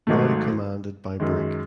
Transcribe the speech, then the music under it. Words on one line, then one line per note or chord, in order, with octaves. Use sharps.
Now commanded by Brig.
G#1 G#2 D#3 F#3 A3
F#2 D#3 G#3